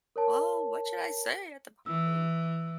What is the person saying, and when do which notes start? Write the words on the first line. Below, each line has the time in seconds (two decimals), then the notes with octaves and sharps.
"Woah, what should I say at the party?"
0.16 A#4 C#5 A5
1.86 E3 E6